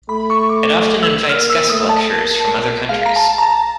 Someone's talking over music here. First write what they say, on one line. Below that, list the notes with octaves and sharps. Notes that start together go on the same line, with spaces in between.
It often invites guest lecturers from other countries.
A3 B5
C#6
D6
E6
A#3 F6
E6
A3 D#6
A5
A#3
G#3 F5
A#5
A5
A#5
A5